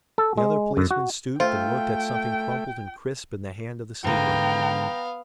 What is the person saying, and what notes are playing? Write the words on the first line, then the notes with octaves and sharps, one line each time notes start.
The other policeman stooped and looked at something crumpled and crisp in the hand of the sleeper.
A4
G#3
F#2
F#4
A3 F4 C5 G5
G#2 D3 B3 F5 G5 A#5